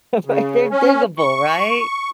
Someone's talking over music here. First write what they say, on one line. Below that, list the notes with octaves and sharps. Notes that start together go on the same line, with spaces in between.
but they're diggable, right?
C#3
C#4
C#6